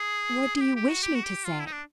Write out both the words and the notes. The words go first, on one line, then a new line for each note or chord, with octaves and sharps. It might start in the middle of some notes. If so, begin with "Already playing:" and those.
"What do you wish me to say?"
Already playing: G#4
G#4
G4
G4
F#4
G4
F#4
G4
F4
E4
D#4
D4